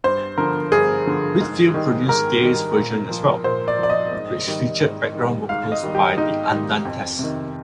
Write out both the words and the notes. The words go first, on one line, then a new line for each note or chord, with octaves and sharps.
Whitfield produced Gaye's version as well, which featured background vocals by The Andantes.
G2 C5
D3 F3 A#4
G2 G#4
D3 F3
G#2
D#3 G3
G#2 A#4
D#3 G3
A#2
F3
A#2 C5
D5
F3 D5
D#5
G#2
D#3 G3
G#2
D#3 G3
G#2 F5
D#5
D#3 G3
G4
G#2 D#4
D#3 G3
F2
C3 D#3